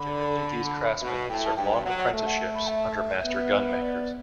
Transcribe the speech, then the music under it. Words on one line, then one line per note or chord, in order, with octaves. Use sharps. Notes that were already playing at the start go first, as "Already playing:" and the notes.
Generally, these craftsmen serve long apprenticeships under master gunmakers.
Already playing: D3 B5
B2
A2 G5
A5
G2 G5
F#3 F#5
A3 E5
F#5
B5
E5
B3
D5